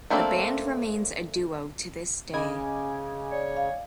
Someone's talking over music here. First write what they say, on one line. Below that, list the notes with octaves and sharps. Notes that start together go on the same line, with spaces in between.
The band remains a duo to this day.
A3 A#3 C4 D4 A4
C#3 C#4 D#5 G#5 B5 D6
C#5 D5
F5